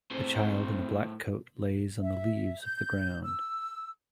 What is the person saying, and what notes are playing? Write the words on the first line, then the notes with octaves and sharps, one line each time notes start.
A child in a black coat lays on the leaves on the ground.
A2 C4 C5
E5
G6
E6